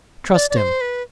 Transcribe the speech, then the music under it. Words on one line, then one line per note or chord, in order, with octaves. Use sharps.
Trust him.
D5
D5
C5
B4